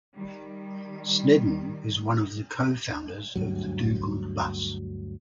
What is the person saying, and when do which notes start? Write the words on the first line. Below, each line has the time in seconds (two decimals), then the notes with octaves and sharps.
Snedden is one of the co-founders of the Do Good Bus.
0.15 D#3 G3
3.35 D2 G2 F#3